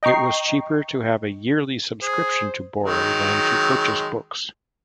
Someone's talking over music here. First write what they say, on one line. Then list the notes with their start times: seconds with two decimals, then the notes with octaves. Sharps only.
It was cheaper to have a yearly subscription to borrow than to purchase books.
0.03 D#5 G5 A#5 C#6 C7
2.03 G#4 C5
2.83 D#3 F#3 G#3